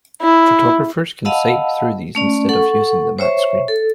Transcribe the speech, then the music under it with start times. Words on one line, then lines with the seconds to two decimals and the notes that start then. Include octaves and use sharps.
Photographers can sight through these instead of using the matte screen.
0.22 E4
1.25 D#5 F5 F#5 A5 B5 E6
2.15 A3 C#4 D5
2.49 A4 F#5 C#6
3.19 C5 C#5 E5 C#6
3.68 A4